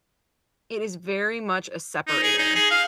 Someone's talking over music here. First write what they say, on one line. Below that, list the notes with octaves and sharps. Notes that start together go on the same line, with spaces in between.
it is very much a separator.
D#4
G#4
D#4
G#4
F5